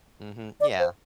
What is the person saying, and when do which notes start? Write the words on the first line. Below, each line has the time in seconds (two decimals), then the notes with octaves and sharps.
Mhm, yeah.
0.60 D5
0.79 C5